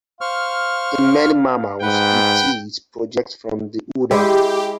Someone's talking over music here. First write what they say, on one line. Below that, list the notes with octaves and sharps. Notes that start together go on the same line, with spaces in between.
In many mammals the teat projects from the udder.
C5 F5 C#6 F6
G#2 B4 F#5 G5
G#3 E4 G4